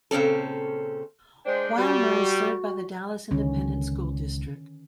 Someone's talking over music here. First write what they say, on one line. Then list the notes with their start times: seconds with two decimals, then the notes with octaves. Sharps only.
Wilmer is served by the Dallas Independent School District.
0.11 A#2 C#3 C4 C#4 A4
1.46 G#3 D4 C5 G5
1.77 G3 F#4
3.31 C#2 D3 D#3 C#4